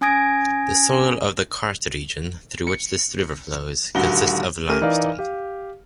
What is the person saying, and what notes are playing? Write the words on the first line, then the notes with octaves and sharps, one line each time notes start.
The soil of the karst region, through which this river flows consists of limestone.
C#4 G#5 D#6 G#6 A#6 D7
C#7
D#1 D2 F#4 G7
A3 C#4 G4 A#4 F6 D#7
E3 D#4 A#4 D5 F5
G4 F5